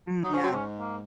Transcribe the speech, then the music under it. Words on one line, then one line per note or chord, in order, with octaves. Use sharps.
Mm, yeah.
F#3 D#4
F3 C#4
F#3 C4
G#2 C#4
A#3